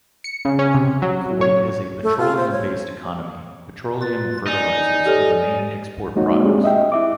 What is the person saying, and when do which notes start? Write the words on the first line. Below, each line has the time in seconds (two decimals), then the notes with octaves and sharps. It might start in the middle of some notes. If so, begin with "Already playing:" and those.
Kuwait has a petroleum-based economy, petroleum and fertilizers are the main export products.
0.24 C#7
0.45 C#3
0.59 C#4
0.74 C3
1.02 F#3
1.41 C#5
2.03 A3
2.18 F4
2.37 C5
2.52 C#5
4.01 F4 B4 A6
4.47 D#4 D5 G#5
5.06 G4 A4 C#5
6.16 G#3 A#3 D#4 F#4 C#5
6.43 G#3 A3 C4 D4 G4 G#4
6.64 D#5 E5 G5
6.92 E4 E5 D6